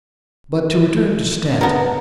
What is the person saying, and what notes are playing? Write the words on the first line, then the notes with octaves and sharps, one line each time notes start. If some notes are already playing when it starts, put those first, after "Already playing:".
But to return to Stanton.
D3 B3 A#4